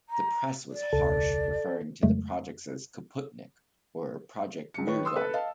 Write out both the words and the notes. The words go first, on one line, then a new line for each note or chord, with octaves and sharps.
The press was harsh, referring to the project as "Kaputnik" or "Project Rearguard".
A#5
D5
E1 C#2 A4
F2 C#3 F#3 G#3 A3
C#2 C#7
D#3 B4 C#5 C#6
C6 D#6 E6
A4 B4
D#5 F5 A5